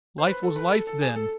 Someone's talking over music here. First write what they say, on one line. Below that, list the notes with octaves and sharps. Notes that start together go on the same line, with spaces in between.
Life was life then!
C5
B4
A4
B4
A4
A4
G#4
A4